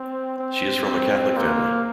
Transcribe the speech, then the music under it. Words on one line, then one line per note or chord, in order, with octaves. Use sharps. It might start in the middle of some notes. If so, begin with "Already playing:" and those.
She is from a Catholic family.
Already playing: C4
C4
C4
A#3